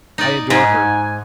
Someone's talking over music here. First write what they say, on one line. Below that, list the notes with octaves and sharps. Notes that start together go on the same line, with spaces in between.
"I adore her!"
D#4 D5
G#2 G#5